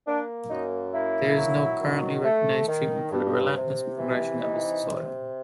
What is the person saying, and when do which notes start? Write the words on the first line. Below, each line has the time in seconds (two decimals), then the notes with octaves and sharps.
There is no currently recognized treatment for the relentless progression of this disorder.
0.06 A#3 D4
0.49 F#2 D#4
0.93 A#3 E4
1.37 F#3
1.80 D#3
2.24 A3
2.67 D#3
3.11 G2
3.54 C3
3.98 E3
4.41 C3 D#4
4.84 C3